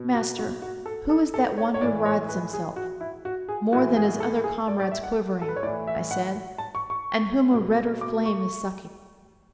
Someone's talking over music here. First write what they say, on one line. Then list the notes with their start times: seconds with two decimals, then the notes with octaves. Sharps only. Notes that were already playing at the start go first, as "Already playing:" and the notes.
"Master, who is that one who writhes himself, More than his other comrades quivering," I said, "and whom a redder flame is sucking?"
Already playing: B2
0.14 F#4
0.39 F#4
0.62 F#4
0.86 A4
1.09 A4
1.34 A4
1.58 C#5
1.74 C#5
1.81 A2 E3 D5
2.06 C#5
2.29 B4
2.53 G#4
2.76 F#4
3.01 E4
3.25 F#4
3.49 G#4
3.73 A2 E3 F#4
3.97 G#4
4.20 A4
4.44 G#4
4.68 D5
4.80 D5
4.92 E5
5.04 F#5
5.42 A4
5.48 B4
5.56 C#5
5.63 A2 D5
5.67 E3
5.87 E5
6.11 F#5
6.58 A5
6.75 C#6
6.90 C#6
7.54 B2
8.01 D6
8.26 C#6